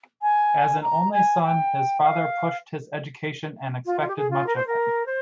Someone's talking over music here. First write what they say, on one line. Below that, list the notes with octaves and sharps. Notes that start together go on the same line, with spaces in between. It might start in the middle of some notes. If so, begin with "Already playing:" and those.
As an only son, his father pushed his education and expected much of him.
G#5
A#5
G#5
G5
F5
F4
F4
G4
G#4
F4
A#4
C5
A#4
C5